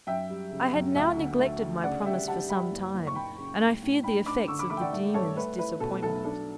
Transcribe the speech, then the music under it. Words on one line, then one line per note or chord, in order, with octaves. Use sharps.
I had now neglected my promise for some time, and I feared the effects of the daemon's disappointment.
F#2 E5 G5
G3
C#3
F#2
D2 E5 G5
D3
A3
D3
C#3 D5 F#5
G3 E5 G5
G3 F#5 A5
G3 G5 B5
F#1
F#1
C#6
F#1 G5 B5
C#3
A2
A2
D4 G5 B5
D4 B5 D6
D3 C#6 E6
B5 D6
A3 B5 D6
G5
D5 F#5
A3
G2 A4 C#5
A3 B4
E4 B4
B2 A4
B1 A4
D4 A4